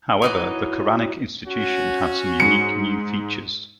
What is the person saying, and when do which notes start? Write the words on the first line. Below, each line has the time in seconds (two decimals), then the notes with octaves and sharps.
However, the Quranic institution had some unique new features.
0.22 E3 F#3 D#4
1.47 C#4 F#4
2.40 G#2 C#7